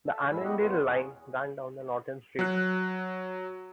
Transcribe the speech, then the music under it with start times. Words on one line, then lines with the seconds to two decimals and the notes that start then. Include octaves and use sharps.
The Annandale Line ran down Norton Street.
0.07 A4
0.31 F#2 A2 G#3 E4 E6
0.44 G3 B3 F#4 G4 D#5 F#5
0.59 E2 F4 F#4 B4 F#5
0.88 C#4 G#4
2.39 F#3 F#6